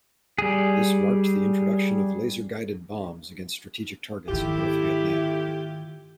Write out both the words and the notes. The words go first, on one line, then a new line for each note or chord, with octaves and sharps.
This marked the introduction of laser-guided bombs against strategic targets in North Vietnam.
G3 G#4
G#2 D#3 A3 E4 F4 G4